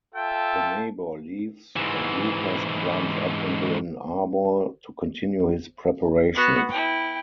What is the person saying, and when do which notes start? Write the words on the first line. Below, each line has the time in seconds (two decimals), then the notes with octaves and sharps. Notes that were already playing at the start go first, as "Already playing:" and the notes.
The neighbor leaves, and Lukas climbs up into an arbor to continue his preparations.
0.15 F4 A4 E5 G5 A5
1.76 G#2 E3
6.35 B3 F#4
6.70 E4 G5